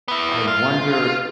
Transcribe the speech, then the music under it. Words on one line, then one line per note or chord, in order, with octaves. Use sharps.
I wonder
B3 E4
F4